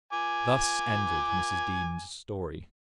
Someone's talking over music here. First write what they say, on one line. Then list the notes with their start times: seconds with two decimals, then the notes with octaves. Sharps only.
Thus ended Mrs. Dean's story.
0.13 G#5 D6